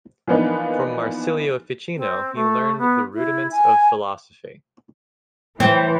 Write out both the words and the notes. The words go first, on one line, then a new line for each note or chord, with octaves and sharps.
From Marsilio Ficino he learned the rudiments of philosophy.
E3 F3 A#3 B3 D4 D#4
C4
A3
B3
E4
G#5
E3 C4